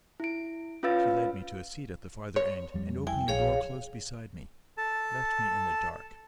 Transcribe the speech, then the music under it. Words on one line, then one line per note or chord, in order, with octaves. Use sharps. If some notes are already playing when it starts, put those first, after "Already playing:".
She led me to a seat at the farther end, and opening a door close beside me, left me in the dark.
E4 D7
C#4 F4 B4 F5 E6 A6
C#5
F2 G3
E4 G5 G#5
A#1 G#4 C#5 F5
A4 A5